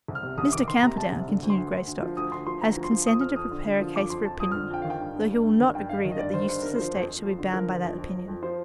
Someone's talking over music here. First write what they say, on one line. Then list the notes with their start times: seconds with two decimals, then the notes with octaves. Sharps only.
"Mr. Camperdown," continued Greystock, "has consented to prepare a case for opinion, though he will not agree that the Eustace estate shall be bound by that opinion."
0.08 C2
0.15 F6
0.23 C3
0.38 C2 D#6
0.53 D#3 D6
0.68 D#3 C6
0.82 C3 A#5
0.97 C3 A5
1.12 C2
1.28 D3
1.42 D2
1.50 C6
1.58 D2
1.72 D2
1.87 D2
2.02 F3
2.17 D2 D#6
2.32 D2 C6
2.47 F3 C6
2.61 D2 A#5
2.76 F3
2.84 C6
2.91 F3
3.06 F2 D#6
3.21 F2 F6
3.36 F2 D#6
3.51 D3
3.65 D3
3.81 F3
3.96 F2 D6
4.10 F2 C6
4.25 F2 A5
4.40 F2 D#6
4.52 D3 F6
4.70 F2 G5
4.82 D#3 F5
4.90 G5
5.00 G2
5.15 G2
5.29 G2
5.45 G2
5.60 D#3
5.75 G2 G5
5.89 G2 F5
5.97 D#5
6.04 D#3
6.12 D#5
6.19 G2 D5
6.34 D#3 C5
6.49 G2 C5
6.62 D3 A#4
6.76 F3 C5
6.94 F2
7.09 F2
7.23 F2
7.38 D3
7.53 F3 A#4
7.68 D3
7.83 F2
7.98 F2
8.13 F2
8.28 F2
8.43 F3 C5